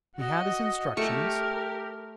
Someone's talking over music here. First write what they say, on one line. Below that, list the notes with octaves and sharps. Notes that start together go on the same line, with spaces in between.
He had his instructions.
F#4 D#5
A3 G4 A#4 C#6